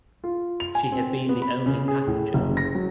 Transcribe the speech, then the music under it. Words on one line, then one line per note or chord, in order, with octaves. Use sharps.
She had been the only passenger.
F4
F7
G#5
C4
B3
B5
C#3
G#4
A2
F#1
A#6
F#3